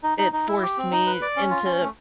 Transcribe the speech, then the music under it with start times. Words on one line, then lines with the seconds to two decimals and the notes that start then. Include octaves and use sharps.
it forced me into
0.03 D#4
0.18 D#4
0.33 D#4
0.48 E4
0.63 G4
0.78 C4
0.92 D#4
1.07 B4
1.22 D5
1.37 C#4
1.50 F4
1.66 C#4
1.80 A3